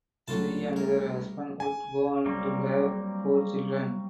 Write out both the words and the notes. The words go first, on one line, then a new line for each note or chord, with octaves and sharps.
She and her husband would go on to have four children.
C#2 F#3 A3 F4 A5
C2 A#4
G#5
F#3 G3 A#3 C4